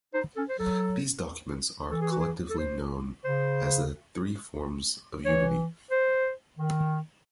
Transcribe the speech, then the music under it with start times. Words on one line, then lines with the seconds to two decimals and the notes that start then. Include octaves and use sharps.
These documents are collectively known as "The Three Forms of Unity".
0.14 D#4 C5
0.36 C#4 A4
0.49 C5
0.59 F#3 A4
1.91 E3 A4
2.01 G#4
2.11 F#4
2.20 G#4
2.50 A4
2.58 C5
3.24 C#3 C5
5.25 E3 C#5
5.91 C5
6.58 D#3